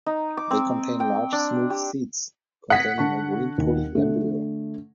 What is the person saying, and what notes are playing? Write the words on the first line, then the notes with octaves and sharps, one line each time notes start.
They contain large smooth seeds, containing a green polyembryo.
D#4
D6
C4
G5
D4
G4
F#5 D#6 G#6 A#6 B6
D3 A5 C#6
D#2
D3 A3